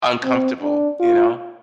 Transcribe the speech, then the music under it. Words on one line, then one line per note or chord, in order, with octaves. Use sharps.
uncomfortable, you know?
C4
D4
F4